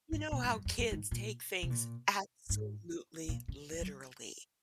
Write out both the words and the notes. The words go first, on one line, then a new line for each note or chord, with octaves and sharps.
you know how kids take things absolutely literally,
G#2
A#2
G#2
F#2
F2
F#2
G#2
A#2
C3
A#2
G#2
A#2
C#3
F3
F#3